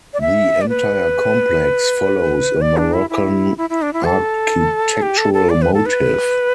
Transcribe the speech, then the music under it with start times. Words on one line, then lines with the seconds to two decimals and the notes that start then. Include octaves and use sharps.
The entire complex follows a Moroccan architectural motif.
0.13 D5
0.21 E5
0.61 D5
0.69 B4
2.61 D5
2.77 D4
2.93 E4
3.10 E4
3.58 E4
3.70 E4
3.82 D4
3.93 E4
4.06 A4
5.02 G4
5.18 A4
5.34 A4
5.50 D5
5.62 B4
5.74 A4
5.86 B4